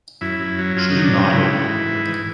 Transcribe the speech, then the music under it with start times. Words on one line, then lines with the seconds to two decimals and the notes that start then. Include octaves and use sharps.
She nodded.
0.21 F#2 E4
0.39 F#2
0.58 F#3
0.76 F#2 F4
0.91 D#4
0.96 F#3
1.04 D4
1.15 C#3
1.20 D#4
1.33 G#2 E4
1.52 G#2
1.71 E3
1.88 G#2
2.08 E3